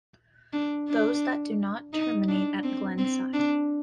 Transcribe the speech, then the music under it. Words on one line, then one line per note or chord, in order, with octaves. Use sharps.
Those that do not terminate at Glenside.
D4
D4
D#4
D4
C4
C4
D4